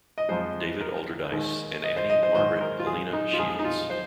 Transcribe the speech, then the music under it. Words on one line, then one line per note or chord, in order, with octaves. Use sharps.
David Alderdice and Annie Margaret Helena Shields.
D#5
F2 F3 G#3 C5
A#4
D#2 D#3 G#3
D#5
C5
D#5
C5
G#2 D#3 G#3 C5
A#4
F4
G#4
D#4
F4
F2 F3 G#3 G#4
D#4
F4
C5